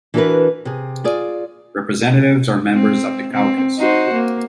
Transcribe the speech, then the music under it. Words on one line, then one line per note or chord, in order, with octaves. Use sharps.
Representatives are members of the caucus.
E3 D4 F#4 G#4 A#4 B4
C3 G#4
F4 G#4 D5
C4
C4
D#4 F#4 C5
A#3